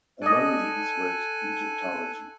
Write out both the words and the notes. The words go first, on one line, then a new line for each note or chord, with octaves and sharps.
Among these was Egyptology.
A4 D5 D#5 G#5 F#6